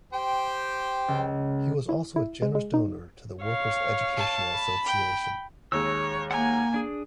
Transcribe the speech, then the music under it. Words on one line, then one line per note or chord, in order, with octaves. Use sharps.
He was also a generous donor to the Workers' Educational Association.
G4 C5 G5
C#2
E4
E4
G#3
G#3
D#4
C#5 F5
A5
B5
G5
D#2 G#3 C#5 E6
A#3 F#5 G#5 A#5
D4 G#4